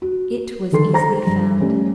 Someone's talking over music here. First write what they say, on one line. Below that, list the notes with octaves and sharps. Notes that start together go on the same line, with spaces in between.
It was easily found.
F#4
D3 D#3 A4 C6 C7
C5 A#5 A#6
G2
G3 A3 C#4